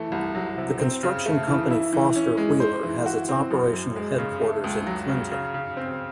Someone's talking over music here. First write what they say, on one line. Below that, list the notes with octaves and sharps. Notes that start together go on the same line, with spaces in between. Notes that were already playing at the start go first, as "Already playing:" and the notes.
The construction company Foster Wheeler has its operational headquarters in Clinton.
Already playing: E3 A3
C2
F#3
C3
C4
C#3
A3
E3
E4
E3
C#4
G#3
C5
E3
F#4
C4
F#2
F#2
G#3
C#3
A3
C#2
F#3
C#3
C#3
C#3
C4